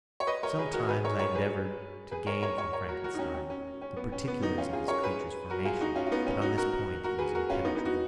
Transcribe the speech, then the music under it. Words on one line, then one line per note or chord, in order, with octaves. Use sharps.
Sometimes I endeavoured to gain from Frankenstein the particulars of his creature's formation, but on this point he was impenetrable.
C#5
B4 D#5
A#4 C#5
G#4 B4
F#4 A#4
G#4 B4
A#4 C#5
A#4 C#5
G#4 B4
G#4 B4
A#4 C#5
A#4 C#5
A#4 C#5
A#4 C#5
F#4 A#4
F#4 A#4
D#4
C#4
C#4
C#4
C#4
B3
C#4
B3
B3 D#4
C#4 F4
F4 G#4
A#4 C#5
G#4 B4
F#4 A#4
F4 G#4
D#4 F#4
C#4 F4
F4
B3 D#4
C#4
D#4 F#4
F#4 A#4
F#4 A#4
G#4 B4
F#4 A#4
C#4 F4
B3 D#4
B3 D#4
D#4 F#4